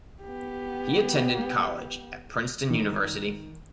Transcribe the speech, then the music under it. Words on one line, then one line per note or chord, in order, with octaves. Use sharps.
He attended college at Princeton University.
B3 G4
D#3